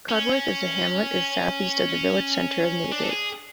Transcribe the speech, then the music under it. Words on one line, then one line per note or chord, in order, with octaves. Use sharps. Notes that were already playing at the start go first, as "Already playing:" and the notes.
Cudworth is a hamlet is southeast of the village centre of Newdigate.
C#4
D4
A4
G#4